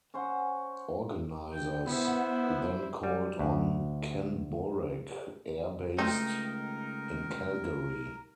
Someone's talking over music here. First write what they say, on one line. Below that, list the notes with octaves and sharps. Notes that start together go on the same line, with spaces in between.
Organizers then called on Kenn Borek Air based in Calgary.
C#4 C5 F#5
G5
B3 E4 C5
G3
D2
C#2 D#3 A3 C4 D#4 A#4